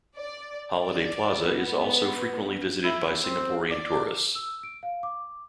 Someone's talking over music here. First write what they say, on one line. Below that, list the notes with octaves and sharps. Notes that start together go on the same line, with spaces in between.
Holiday Plaza is also frequently visited by Singaporean tourists.
D5
D5
B3
E4
C4
D5
E6
D7
F5
D6